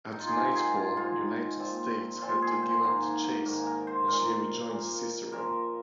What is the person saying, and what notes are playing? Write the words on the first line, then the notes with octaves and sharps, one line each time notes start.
At nightfall "United States" had to give up the chase and she rejoined "Cicero".
D#4
F4
G#4
G#2 G#3 C4 A#4
G#4
F4
G#2 G#3 C4 F4
A#2 F3 C4
A#2 F3 C4 F4
G#4
C5
G#2 D#3 A#3 A#4
G#2 D#3 A#3 A#4
A#4
C5
A#2 A#3 A#4
A#2 A#3
A#2 F3 A#3 A#4